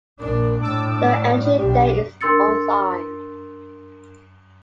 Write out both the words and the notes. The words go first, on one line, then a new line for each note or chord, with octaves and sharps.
The entry there is unsigned.
A#1 D4 A#4
A2 D4 A5 D6 E6
D5
B1 D4 G4
D4 A#4 C6 E6 A6 C#7